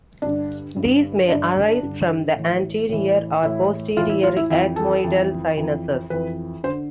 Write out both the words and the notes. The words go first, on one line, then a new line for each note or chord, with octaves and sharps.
These may arise from the anterior or posterior ethmoidal sinuses.
G2 D3 D4
G2 D3
G2 D3 D4
G2 D3
A2 E3
A2 E3
A2 E3 E4
A2 E3 F4
E4
F4
E4
F2 E3 E4
A4
F2 E3
F2 E3
F2 E3 B4
D3 C5